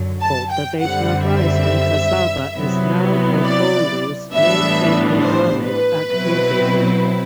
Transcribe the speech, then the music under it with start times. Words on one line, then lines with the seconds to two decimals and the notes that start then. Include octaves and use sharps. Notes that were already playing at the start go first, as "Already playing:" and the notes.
Cultivation of rice and cassava is now Bopolu's main economic activity.
Already playing: F#2 D3 F#3
0.21 A5
0.51 G5
0.80 F#2 D3 G3 C4 F#5
1.24 E5
2.56 C3 F#3 B3 E4
3.44 D5
4.32 A2 E3 G3 B3 D4 E5
5.20 C5
5.65 B4
6.09 B2 F#3 C4 E4